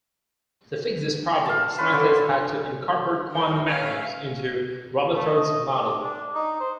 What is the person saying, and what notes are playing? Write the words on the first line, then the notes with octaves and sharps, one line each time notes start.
To fix this problem, scientists had to incorporate quantum mechanics into Rutherford's model.
F5 A5
C#4 F4 B4
D3 A4 C6 D6
D4 A#4 G5
C#4 B4 C#5 E5 F5 G#5
A3
D#5
D5
D4
D#4
C5